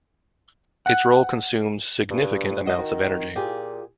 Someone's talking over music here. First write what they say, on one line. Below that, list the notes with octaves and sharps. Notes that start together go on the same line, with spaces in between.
Its role consumes significant amounts of energy.
F#5
G2
F#4 D#5
D#3 F#4
A#2 F4 G4 G#4